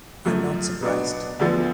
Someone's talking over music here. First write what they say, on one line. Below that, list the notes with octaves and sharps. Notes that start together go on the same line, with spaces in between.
I’m not surprised!
F#2 F3 A3
B2 F#3 B3 D4
D2 D3 F3 B3